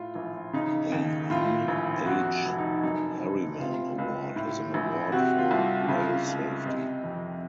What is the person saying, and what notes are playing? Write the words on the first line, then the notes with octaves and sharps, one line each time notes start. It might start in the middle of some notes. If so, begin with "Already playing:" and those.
The E. H. Harriman Award is an award for rail safety.
Already playing: A2 F4
A#1
C#3 D#4
D#2
A2 F4
A#1
F2 F#4
F1
D#4
F#2 D#4
F#1
C3 F4
C#2
A2
A#1
C3 F#4
F4
C2
C#3 F4
C#2
C3 D#5
F2